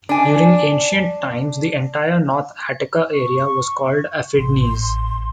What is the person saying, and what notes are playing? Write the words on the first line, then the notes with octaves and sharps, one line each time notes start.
During ancient times, the entire north Attica area was called "Afidnes".
D4 G#5
C#6
A1 C6